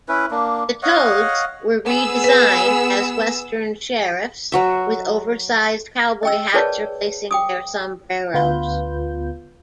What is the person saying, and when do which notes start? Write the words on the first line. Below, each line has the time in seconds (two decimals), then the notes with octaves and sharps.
The toads were redesigned as western sheriffs with oversized cowboy hats replacing their sombreros.
0.09 C#4 E4 B4
0.31 A#3 D4
0.83 C#5 D#5 F5 F#5
1.86 B3 G#4 E6
2.24 B4
4.52 F#3 F#4 E5
6.23 D#5 G5 E6
6.54 G#4 A#4 B4 C#5 D5 A5
7.31 G5 D6 D#6
8.34 D2 B3 F4 B4 G6